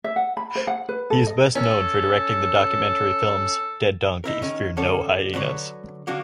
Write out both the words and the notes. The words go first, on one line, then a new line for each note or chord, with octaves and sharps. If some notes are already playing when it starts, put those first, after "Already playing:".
He is best known for directing the documentary films "Dead Donkeys Fear No Hyenas".
E5
F#5
B5
C5
F#5
B4
A4
D#5
C#4 A4
D#4 E4 A#4
D#3 C#4
D3 C#4 A4 C#5
D3 F#3 B4 C#5
D3 F#3 A#3 D4 F#4